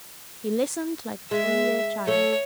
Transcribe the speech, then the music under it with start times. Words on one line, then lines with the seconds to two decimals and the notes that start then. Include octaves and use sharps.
"He listened like a three-year child."
1.31 G#3 E5
2.07 A3 A4 C#5